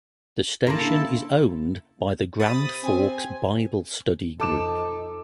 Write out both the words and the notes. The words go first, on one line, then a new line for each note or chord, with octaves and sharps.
The station is owned by the Grand Forks Bible Study Group.
C#3 A#3 D4 E4 A4 A5 A#5 C6
C3 B5 D#6 A6
C4 G#5
F2 D#4 A4 A5 D6 E7